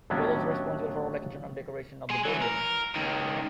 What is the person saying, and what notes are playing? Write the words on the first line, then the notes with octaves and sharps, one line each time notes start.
He was also responsible for all the external decorations of the building.
D#2 A2 F#3 B3 C#4 D4
G#3 G#5
E3 F#3
A#4
C#2 D#3